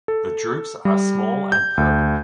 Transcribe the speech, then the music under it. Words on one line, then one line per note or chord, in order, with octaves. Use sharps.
The drupes are small and purple.
A4
G3
G6
D2